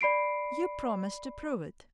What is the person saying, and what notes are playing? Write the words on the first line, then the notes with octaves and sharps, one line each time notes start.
You promised to prove it.
D5 B5 C7 D7